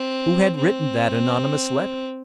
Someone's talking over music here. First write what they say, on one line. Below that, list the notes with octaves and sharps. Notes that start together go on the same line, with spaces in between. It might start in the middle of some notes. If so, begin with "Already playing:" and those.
Who had written that anonymous letter?
Already playing: C4
C4